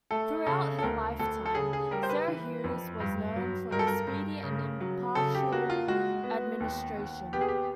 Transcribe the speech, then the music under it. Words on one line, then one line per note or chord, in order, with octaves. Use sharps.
Throughout her lifetime, Sarah Hughes was known for her speedy and impartial administration.
A3 A4
C#3 A4
A4
D2 A#4
D2 A4
A4
C#3 G#4
G#4
G3 A#4
C5
B4
E3
F2
G2
F#3
G2 A#4
A4
A#4
G2
C#3
F#3
C#3 A4
G4
A#3 F#4
F4
G#3 F#4
B3
D#2
D#2
B3 G4
G#4
G4